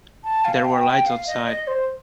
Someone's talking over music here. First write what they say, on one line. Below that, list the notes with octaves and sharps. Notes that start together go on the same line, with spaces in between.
There were lights outside.
A5
F5
G5
G5
F5
D#5
D#5
C5